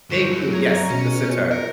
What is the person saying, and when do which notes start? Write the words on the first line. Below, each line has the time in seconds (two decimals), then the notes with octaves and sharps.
Thank you Yes, the sitar.
0.10 G2 D3 C#6 G6
0.31 F#2
0.53 C#5 A#5 G#6
0.90 B2 C#4 C#7
1.51 A#4